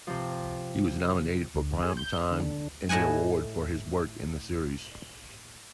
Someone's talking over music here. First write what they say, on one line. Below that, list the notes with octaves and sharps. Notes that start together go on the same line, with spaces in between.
He was nominated for Primetime Emmy Award for his work in the series.
C3 F3
D2
G#4
G6
D3
A2 E4 D#5 F#5 G#5